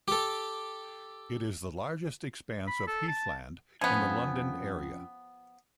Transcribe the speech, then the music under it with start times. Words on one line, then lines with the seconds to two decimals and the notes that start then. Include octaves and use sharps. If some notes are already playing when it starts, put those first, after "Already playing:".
It is the largest expanse of heathland in the London area.
0.08 G4 A4
2.67 B5
2.87 A4
3.08 A5
3.81 F2 F3 B3 C#4 G#5